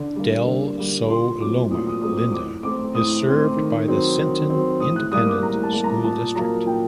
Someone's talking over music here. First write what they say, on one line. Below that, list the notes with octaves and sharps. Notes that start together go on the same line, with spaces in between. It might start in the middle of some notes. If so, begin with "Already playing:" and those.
Del Sol-Loma Linda is served by the Sinton Independent School District.
Already playing: D3
G3 A#3
D3
G3 A#3
A#2 C6
F#3 A3 C4 D6
A#2 D#6
D#6
F#3 A3 C4 D#6
D#6
A2 D6
A3 C4 D6
A2 D#6
A3 C4
D#3
F#3 C4
D#3
F#3 C4
A2 D#6
F#6
G3 A#3 D#6
D6
A2 A#5
A5
G3 A#3
A#5
A#2 A5
F#3 A#3 A#5
A#2 G5